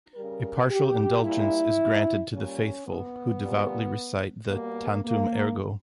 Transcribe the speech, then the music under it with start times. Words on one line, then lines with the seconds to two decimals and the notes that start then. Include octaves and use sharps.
A partial indulgence is granted to the faithful, who devoutly recite the "Tantum Ergo".
0.15 C#3 G3 A#4
0.70 G4
1.24 A#2 G3 E4
2.33 A#2 G3 C#4
2.87 B3
3.42 A#2 G3
4.50 B2 G3 A#3
5.04 A#3